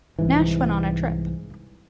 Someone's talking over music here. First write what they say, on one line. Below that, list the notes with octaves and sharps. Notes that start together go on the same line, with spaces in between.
Nash went on the trip.
C2 G#2 E3